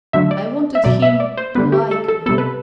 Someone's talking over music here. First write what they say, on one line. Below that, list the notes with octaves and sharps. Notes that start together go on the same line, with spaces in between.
I wanted him to like me.
D3 F#3 A3 E5
D5
E5
B2 F#3 A3 D5
E5
D5
C5
D3 G3 B3 B4
G4
A4
A4
C3 G3 B3 A4
B4